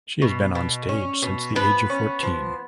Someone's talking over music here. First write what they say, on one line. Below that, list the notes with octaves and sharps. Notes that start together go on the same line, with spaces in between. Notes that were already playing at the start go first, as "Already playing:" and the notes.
She has been on stage since the age of fourteen.
B2
B2
C#4
B2
F3 B3 B4
C#4
F3